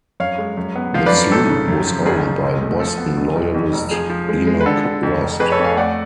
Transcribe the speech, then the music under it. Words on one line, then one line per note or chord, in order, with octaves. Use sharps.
The sloop was owned by Boston loyalist Enoch Rust.
F#2 C#5 F5
G#3
F#2
B3
F3 F5
B4 D5
F#2
G#1 A4
C#3
F#2
F3
F#1 G#4
F#1
B1
A3
F3 A4
B3
B1
B1
F2
F1
F3 G#4
F3
G#3
G#3
B4
D3 A4
D3
F2
F1
F2 G#4 B4
A4 C#5
F2
F5 G#5
A3 D5 F#5